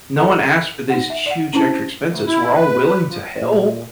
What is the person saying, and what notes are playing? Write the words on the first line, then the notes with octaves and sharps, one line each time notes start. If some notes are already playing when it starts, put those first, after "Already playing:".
no one asked for these huge extra expenses. We're all willing to help,
D#4 A4 D#5 F#5 A#5
D#4 F#5
E5
D5 F#5
C#4 D4 E4 C5 A5
D2
E4
B4
B4
F3
A#2